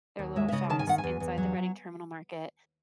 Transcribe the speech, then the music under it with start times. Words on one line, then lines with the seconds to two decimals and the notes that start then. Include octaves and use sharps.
their little shops inside the Reading Terminal Market,
0.19 D#2
0.36 G#3 E5
0.48 E5
0.52 C#3 D#5
0.70 D#3 A5
0.79 G#5
0.87 D#3 F#5
0.98 G#5
1.04 E2
1.20 E2
1.38 F#3